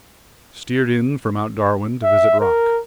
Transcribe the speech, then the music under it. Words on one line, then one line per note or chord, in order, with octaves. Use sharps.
Steered in for Mt. Darwin to visit rock.
E5
A#4